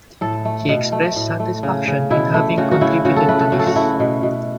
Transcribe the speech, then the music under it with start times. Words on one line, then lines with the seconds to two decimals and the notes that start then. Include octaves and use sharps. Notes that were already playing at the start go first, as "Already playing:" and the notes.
He expressed satisfaction in having contributed to this.
0.21 A2 A4
0.45 A3
0.69 B2
0.92 A3
1.16 A2
1.40 A3
1.63 C#3
1.88 C#3
2.10 B2 E4
2.34 A3
2.57 C#3 F#4
2.71 F#4
2.81 C#3 E4
3.05 C#3 F#4
3.16 A4
3.29 A3 B4
3.40 A4
3.52 C#3 F#4
3.59 A4
3.67 F#4
3.76 A3 E4
4.00 B2
4.23 B2